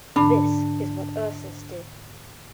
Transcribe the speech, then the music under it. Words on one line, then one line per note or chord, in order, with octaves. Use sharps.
This is what Ursus did.
G#2 D3 D4 B5